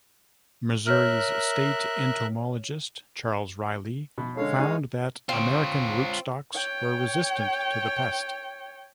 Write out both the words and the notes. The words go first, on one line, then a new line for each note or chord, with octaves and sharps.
Missouri's state entomologist, Charles Riley, found that American rootstocks were resistant to the pest.
A#4 C#5 E5 F6 F#6
B2
D3 G#3 C#4 A4 C#5 F5
D#4 G#4
C4 F4 C#5
C#5 G5